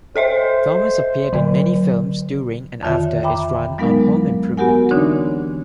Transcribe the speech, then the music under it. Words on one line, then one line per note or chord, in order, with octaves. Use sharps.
Thomas appeared in many films during and after his run on "Home Improvement".
A4 C5 D#5 E5
D3 F#3
F2 D3 D#3 F4 C#5 E5
E5 G5 A#5 B5 D6
F#3 G#3 B3 D#4 A#4 F5
B3 F#4 G4 A#4 F#5 G#5
D3 E3 C4 D4 D#4 C#5